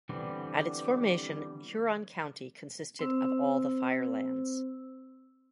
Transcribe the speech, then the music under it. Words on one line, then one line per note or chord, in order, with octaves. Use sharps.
At its formation, Huron County consisted of all the Firelands.
D3 E3 G3 B3 C4
C4 C5 E6